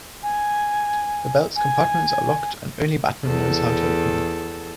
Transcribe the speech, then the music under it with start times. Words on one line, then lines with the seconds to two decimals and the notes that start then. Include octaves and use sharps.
The belt's compartments are locked and only Batman knows how to open them.
0.23 G#5
1.56 G#5
3.25 E2 A4